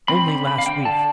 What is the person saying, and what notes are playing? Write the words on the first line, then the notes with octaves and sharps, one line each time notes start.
Only last week!
C4 B5
D3 B5
D3 B5
F5
D3 G5
D3 A5